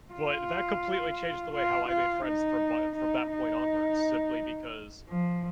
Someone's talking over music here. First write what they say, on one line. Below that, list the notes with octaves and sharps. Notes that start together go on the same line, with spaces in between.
but that completely changed the way how I made friends from my from that point onwards, simply because
F4
F4
F4
D#4
D#4
D#4
F3